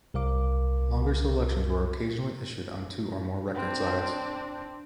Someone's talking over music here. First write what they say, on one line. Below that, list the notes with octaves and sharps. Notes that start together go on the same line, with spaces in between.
Longer selections were occasionally issued on two or more record sides.
C2 A#4 F5 D6
C4 D4